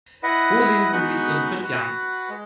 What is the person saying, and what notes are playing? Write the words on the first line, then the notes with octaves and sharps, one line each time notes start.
Wo sehen Sie sich in fünf Jahren?
E4 B4 D#5 F#5
G#3 B3 D#4 F#4 B4
F#4 B4 F#5
G#3